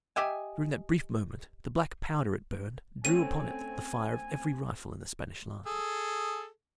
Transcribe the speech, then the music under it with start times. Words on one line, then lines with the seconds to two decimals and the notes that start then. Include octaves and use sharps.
During that brief moment the black powder it burned drew upon it the fire of every rifle in the Spanish line.
0.16 G4 D#5 E5 G#5
3.05 A3 C4 C#4 A4 G#5 D#7
5.66 G#4 A4